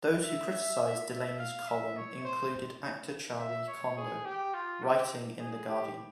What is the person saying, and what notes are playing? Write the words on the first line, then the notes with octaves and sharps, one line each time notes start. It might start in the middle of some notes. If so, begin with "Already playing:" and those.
Those who criticized Delaney's column included actor Charlie Condou writing in The Guardian.
E5
E5
F5
E5
C#5
C5
E5
C#5
G#4
G4
F4
G4
G#4
G4